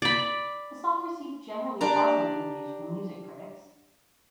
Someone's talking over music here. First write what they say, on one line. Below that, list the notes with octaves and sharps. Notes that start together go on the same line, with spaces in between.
The song received generally positive reviews from music critics.
D5 B5
D4 G4 D5 A#5